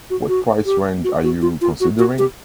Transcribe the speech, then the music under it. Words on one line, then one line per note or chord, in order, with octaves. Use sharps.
What price range are you considering?
F#4
F#4
G4
F#4
F#4
F4
F4
F#4
F#4
G4